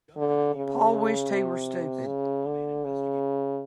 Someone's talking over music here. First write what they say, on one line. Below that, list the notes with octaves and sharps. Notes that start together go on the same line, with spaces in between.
Paul wished he were stupid.
D3
C#3
C3
C#3
D3
C#3